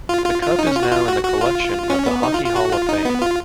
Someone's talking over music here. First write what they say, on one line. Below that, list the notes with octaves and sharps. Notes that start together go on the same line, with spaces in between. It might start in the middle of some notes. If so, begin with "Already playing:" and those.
The Cup is now in the collection of the Hockey Hall of Fame.
F4
F4
F4
D#4
C#4
F4
F#4
F4
F#4
F#4
F4
C#4
B3
D#4
F4
F4
F#4
F4
D#4
B3
F4